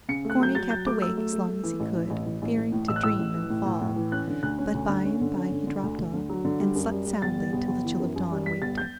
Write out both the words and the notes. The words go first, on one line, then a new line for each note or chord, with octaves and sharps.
Corny kept awake as long as he could, fearing to dream and fall; but by-and-by he dropped off, and slept soundly till the chill of dawn waked him.
C#3 C#7
A3 F#6
F#3 G6
F#3 A6
F#3 G6
A3 D6
F#3 E6
A3
A3
A3
E3
A1
E3
A1
A1
A1
A1
A2
A1 E6
F#6
A2 E6
A1
E3
A2
A2
A2
E3
C#4 F#6
D3
D2 F#6
C#4
D2
D3
C#4
D3
C#4
D3
D3
D2
D2
D3
F#3
D3
G3
F#2
G3
G3
G1 A6
G3
G1
G1
E3
F#2
F#2
G3
G3 B6
G1 A6
G6